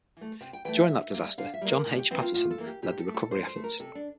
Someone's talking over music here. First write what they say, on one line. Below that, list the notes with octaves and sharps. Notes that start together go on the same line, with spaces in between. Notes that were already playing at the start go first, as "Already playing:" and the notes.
During that disaster, John H. Patterson led the recovery efforts.
E3 A3
C3 G5
G5
E3 A3 G5
E5
D3
G3 A#3
D3 F5
E5
G3 A#3
A#4
A2
G4
E3 A#3 C4
F4
A2 F4
A4
E3 A#3
G4
A#2 G4
A4
A3
A4
A#2 C5
C5
A3
A#4
C3 A4
D4